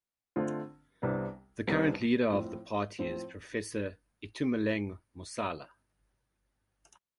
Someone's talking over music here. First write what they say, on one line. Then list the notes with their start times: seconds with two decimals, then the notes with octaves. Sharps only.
The current leader of the party is Professor Itumeleng Mosala.
0.36 D3 A3 C4 F4
1.02 C2 C3 G3 B3 D4
1.67 C2 C3 G3 B3 D4
2.33 A2 F3 C4
2.99 A2 F3 C4